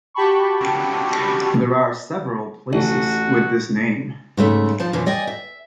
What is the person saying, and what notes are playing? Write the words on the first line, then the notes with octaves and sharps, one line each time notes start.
There are several places with this name.
F#4 G4 G5 A5 B5 C#6
A1 F#4
G#2 C#3 A3 E5
F3 C5 A5
F#2 B2 E3 F3
D5 D#5 G5 G#5
E5